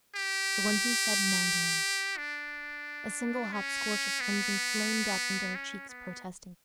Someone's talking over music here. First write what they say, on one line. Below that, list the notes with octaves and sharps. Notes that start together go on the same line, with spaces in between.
But when he said "Magdalen!" a single, hot scorch of crimson flamed up into her cheeks protestingly.
G4
D4
C#4
B3
C#4
B3